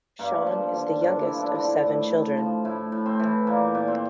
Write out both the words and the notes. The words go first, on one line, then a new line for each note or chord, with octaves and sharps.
Seann is the youngest of seven children.
G2 A#3
F3
D3
G2 D4
E4
F3
D4 E4
D3
E4
A2
A2
F3
A2 E4
A2
C4
E3
A#2 A#3
A#2
C4